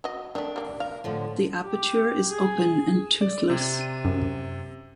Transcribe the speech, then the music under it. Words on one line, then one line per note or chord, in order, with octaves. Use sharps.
The aperture is open and toothless.
F#3 D#5
D#3 A3 D4
G3 A#3
A#4 F5
A2 D3 F3
G4
G#4
D5
C3
D#7
F#2